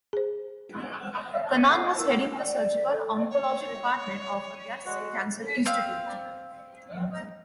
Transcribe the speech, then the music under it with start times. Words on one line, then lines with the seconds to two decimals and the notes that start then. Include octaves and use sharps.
Kannan was heading the surgical oncology department of Adyar Cancer Institute.
0.13 G#4 C5
1.57 G#6 A6 B6 C#7 D#7
1.69 A4 F#5 G6 C7
1.82 D#5
1.97 E4 A#4 E6
2.10 F#5
2.44 D5
2.91 A4
3.30 C#5
4.86 G#3 F#4 F#5
5.66 C4 F5